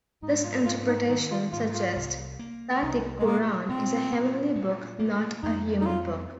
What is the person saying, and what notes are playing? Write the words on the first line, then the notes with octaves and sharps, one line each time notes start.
This interpretation suggests that the Qur'an is a heavenly book, not a human book.
G#2 D#4
F4
G#2 F4
D#4
D#3 D#4
F4
G#2 F4
F4
C2
A#3
C2 D#4
G#3
A#2 A#3
A#2 C4
A#2
A#2
A#3
F2 D#4
D#4
C4 F4